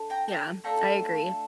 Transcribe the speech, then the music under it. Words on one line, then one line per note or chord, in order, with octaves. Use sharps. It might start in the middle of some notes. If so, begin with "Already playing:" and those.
Yeah, I agree,
Already playing: D4 A4
G5 A#5
G5 A#5
A3 D4 F4 A4 G5 A#5